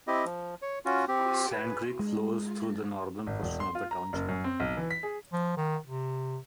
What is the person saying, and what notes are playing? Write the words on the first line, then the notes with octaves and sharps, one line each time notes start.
Sand Creek flows through the northern portion of the township.
C4 E4 G4 D#5
F3
C#5
C#4 F4 F#4
C4 G4
B4
G#3
G#1
E1
C6
F4
A#5
F#1
F#2
C4
B1
E3
B6
G#4
F3
D#3
C3